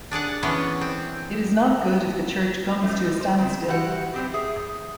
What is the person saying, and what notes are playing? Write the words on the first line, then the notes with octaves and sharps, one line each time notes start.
It is not good if the Church comes to a standstill.
D4 G#4 D5 F#5
E3 B3 C#4 D4
C4
F#2 F3 A3 D#4
C5
C#3 C4
E3 F#4 G4 F#5
G3 C4 G4
G#4 E5